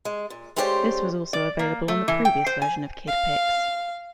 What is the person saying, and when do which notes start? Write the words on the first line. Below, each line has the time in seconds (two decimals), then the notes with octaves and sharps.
This was also available on the previous version of Kid Pix.
0.05 G#3
0.30 A#2
0.56 G#3 A3 C#4 G4 C5 D5
1.33 D5
1.59 A#3
1.88 A3
2.08 E3
2.25 G5
2.46 C5
2.62 G#5
3.08 F5